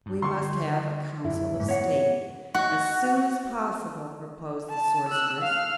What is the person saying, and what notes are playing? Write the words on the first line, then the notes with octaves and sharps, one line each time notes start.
"We must have a Council of State as soon as possible," proposed the Sorceress.
G2
D3 C6 C#6
D1 F#2 E4
D#2 G#2
B3 C#5 F#5
F#4
A5
E6 F#6
F5 F6